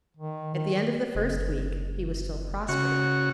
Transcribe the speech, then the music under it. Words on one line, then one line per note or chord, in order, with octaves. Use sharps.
At the end of the first week he was still prostrate.
D#3
D#3
F#1
C#3 F#4 C#6